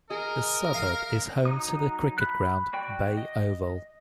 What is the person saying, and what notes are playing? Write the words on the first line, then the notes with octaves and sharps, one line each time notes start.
The suburb is home to the cricket ground Bay Oval.
G#4 A#4 D#5
F5 A#5
F#3 D#4 D#6
B5 F#6
F#4 D5 G5 C#6
D#5